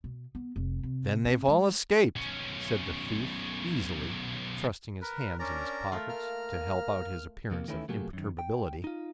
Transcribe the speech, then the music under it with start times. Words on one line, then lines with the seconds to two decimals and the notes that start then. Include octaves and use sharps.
"Then they've all escaped," said the thief, easily, thrusting his hands in his pockets to help out his appearance of imperturbability.
0.04 B2
0.35 B3
0.56 F1
0.83 C3
1.25 C4
1.48 G#3
2.16 B1 C#4
5.02 A#4 B4
5.39 C#4 D4 A#4 D5 A#5
5.92 A3 F4 A#4
6.09 A#3 A#5 F6
7.51 F2 C3 A#3
7.68 D#3 E3 A3 C#4 E4
7.88 C3 F#3 A3 A#3 G4 G#4
8.13 F#2 D#3
8.39 G5
8.84 D#4 F4